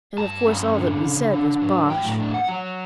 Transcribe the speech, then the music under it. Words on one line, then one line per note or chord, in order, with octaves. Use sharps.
And of course all that we said was bosh.
G2 A5
C#4
D3
C#3
D4
F#3
A2 G5
D4
F#5
F#3